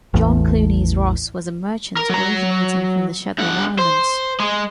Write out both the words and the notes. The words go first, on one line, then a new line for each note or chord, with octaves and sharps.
John Clunies-Ross was a merchant originating from the Shetland Islands.
A1 E2 A2
A#4
F#3 A#5
G2 F#5
C5
G#3